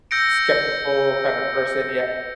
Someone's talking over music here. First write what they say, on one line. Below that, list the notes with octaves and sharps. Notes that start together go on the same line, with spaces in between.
skeptical, kinda person yeah,
E6 G6 A#6 C#7 D7